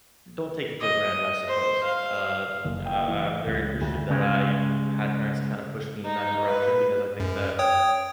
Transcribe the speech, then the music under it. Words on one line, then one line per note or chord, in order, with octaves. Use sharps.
don't take it for granted, I suppose. Uh, you know, I I I'm very appreciative that I had parents that kinda pushed me in that direction because I think that
D#5
C5
F5
F#1
G5
E3
C#2
D2
C#2 C#3 G#3
D#4
B4
F#2
C#5 G5 D#6